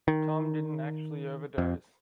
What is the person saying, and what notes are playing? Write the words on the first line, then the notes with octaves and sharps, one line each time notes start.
Tom didn't actually overdose.
D#3
F2